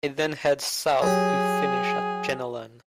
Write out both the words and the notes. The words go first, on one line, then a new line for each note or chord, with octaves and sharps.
It then heads south to finish at Jenolan.
F#3 G4 G#4